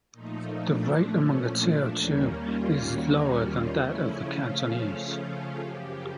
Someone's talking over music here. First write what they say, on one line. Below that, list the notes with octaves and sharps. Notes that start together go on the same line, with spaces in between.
The rate among the Teochew is lower than that of the Cantonese.
A#2 F3 A3 D#4
D4
C#4
D4
D#2 D#3 G3 A#3 C#4
F4
F#4
F4
C#3 F3 A3 C#4 E4
F4
F#2 C#3 F3 G4